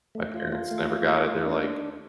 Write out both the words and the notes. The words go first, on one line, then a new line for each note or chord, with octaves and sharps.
my parents never got it, they're, like,
A3
F4
F4
A3
F4
F4
A3
D4